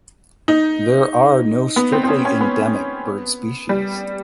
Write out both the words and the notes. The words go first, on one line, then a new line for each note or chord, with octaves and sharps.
There are no strictly endemic bird species.
D#4
B3
C4
C4
C#4
C#4
B3
G3